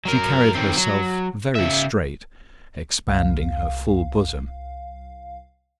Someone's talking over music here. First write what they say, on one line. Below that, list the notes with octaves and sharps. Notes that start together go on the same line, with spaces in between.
She carried herself very straight, expanding her full bosom.
F#3 A#4
D#3 C4
F#3
C#3 E5
C2 F5